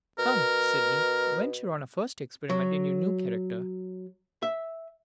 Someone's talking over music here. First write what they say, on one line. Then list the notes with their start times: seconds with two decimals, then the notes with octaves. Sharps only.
Come, Sydney! venture on a first experiment in your new character.
0.18 B2 A#4
2.50 F#3
4.42 E5